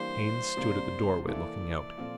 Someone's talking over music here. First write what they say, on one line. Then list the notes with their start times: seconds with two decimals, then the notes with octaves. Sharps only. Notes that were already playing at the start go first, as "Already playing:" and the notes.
Haines stood at the doorway, looking out.
Already playing: E3 G3 A#3 D4 G4 C5
0.57 C3 G3 A#3 D4
1.27 E3 A#3 E4 A4 D5
1.97 A#2 F3 C4 F4 A4